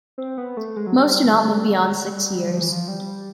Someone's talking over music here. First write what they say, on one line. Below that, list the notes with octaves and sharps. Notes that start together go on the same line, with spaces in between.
Most do not live beyond six years.
C4
B3
A3
G#3
F#3
G3
F3
E3
F3
G3